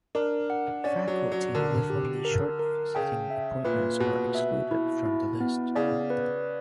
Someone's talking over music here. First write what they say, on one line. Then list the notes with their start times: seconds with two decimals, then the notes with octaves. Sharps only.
Faculty with only short visiting appointments are excluded from this list.
0.15 D4 A#4
0.50 F#5
0.84 C#4 D5
1.08 F#3
1.20 D5
1.32 F#3
1.55 D3 A#4
1.90 G4
2.25 A#4
2.59 A#4
2.95 C#3 G5
3.30 E5
3.65 A#2 B4
4.00 B2 B4
4.35 E5
4.71 E4
5.06 E4
5.40 B3
5.76 C#3 D5
6.10 B4